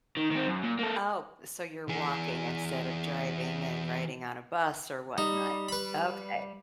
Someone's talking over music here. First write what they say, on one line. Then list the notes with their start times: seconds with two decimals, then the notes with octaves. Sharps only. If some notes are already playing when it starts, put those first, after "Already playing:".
Oh, so you're walking instead of driving and riding on a bus or whatnot. Okay.
0.17 D#3
0.31 D#3 C4
0.48 F#2
0.64 A#2
0.79 A#3 A4
1.89 E3 G#4
5.18 G3 D#4
5.69 B4 B5